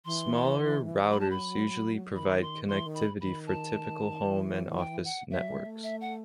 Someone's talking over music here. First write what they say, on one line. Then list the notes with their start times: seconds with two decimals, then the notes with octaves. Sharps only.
Smaller routers usually provide connectivity for typical home and office networks.
0.05 E3 C6
1.10 F#3 B5
1.20 A5
1.30 B5
2.15 D#3 B5
2.42 C6
2.68 E3 C6
2.86 D#3
2.95 B5
3.21 D#3 B5
3.47 A5
4.26 E3
4.78 G5
5.05 F#5
5.31 F#3 E5
5.48 G3
5.66 A3
5.83 E5
6.01 F#5